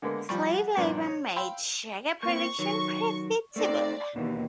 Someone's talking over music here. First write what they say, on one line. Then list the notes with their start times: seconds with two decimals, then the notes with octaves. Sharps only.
Slave labour made sugar production profitable.
0.02 D3 G#3 A#3 B3
0.29 F3 G3 C#6
0.58 F#5
0.77 G2 A#2 F3 B3 D4
1.07 C#5
1.36 F5 G5 B5 C6 E6
2.23 A#3 C4 C#6
2.59 D#3 F#3
3.56 A3 C4 D#4 D5
4.16 D#2 B2 E3